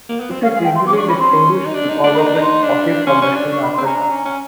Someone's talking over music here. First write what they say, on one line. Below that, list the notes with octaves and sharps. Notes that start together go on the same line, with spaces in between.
It is easily distinguished because of its rocky formation at the top.
A#3
B3
C4
C#4 F5
F5
G#3
G5
A3 C6
B3 D6
C#4
D4 C#6
C#4 B5
C4 C6
C#4
D#4
D4
D#4
D4
B5
D#4 A#5
D4
D#4
C6
D4
C#4 C6
C#4
D4
C#6
B5
C6
C4
C#4 A#5
D4
C#4
C#4